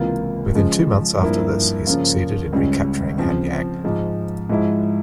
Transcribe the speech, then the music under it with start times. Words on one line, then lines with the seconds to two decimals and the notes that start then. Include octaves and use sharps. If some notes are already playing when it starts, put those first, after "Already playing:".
Within two months after this he succeeded in recapturing Hanyang.
Already playing: C#2 C3 E3 A#3 F4
0.55 C#3 F3 G#3
1.20 G2 F3 A#3 E4
1.87 C#3 F3 A#3 C#4 F4
2.53 C#2 C#3 G3 C#4
3.18 C#3 F3 C4
3.84 G#2 F3 G#3
4.49 G#2 F3 G#3 E4